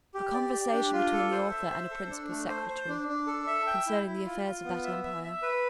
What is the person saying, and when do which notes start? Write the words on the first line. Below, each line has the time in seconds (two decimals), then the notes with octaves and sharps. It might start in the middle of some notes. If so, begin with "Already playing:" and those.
A conversation between the author and a principal secretary, concerning the affairs of that empire.
0.14 G4
0.34 D5
0.53 G4
0.73 D4
0.93 F4
1.12 A4
1.31 C5
1.51 E5
1.71 C5
1.91 A4
2.10 D4
2.29 A3
2.49 C5
2.69 C5
2.88 D4
3.08 D4
3.27 A4
3.47 E5
3.66 G5
3.86 E4
4.06 E4
4.25 F4
4.45 F4
4.65 B3
4.84 E5
5.04 E5
5.23 E5
5.42 B4